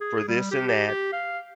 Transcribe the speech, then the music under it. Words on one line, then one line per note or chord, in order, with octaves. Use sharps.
for this and that,
G#4
G3
G4
G4
G4
F5